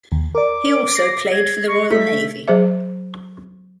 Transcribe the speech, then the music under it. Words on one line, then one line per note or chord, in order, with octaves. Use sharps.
He also played for the Royal Navy.
D#2
A#4 D5 D6
A#6 C7
G#6
C#6
A3 B6
F#3 G#4 C5 E5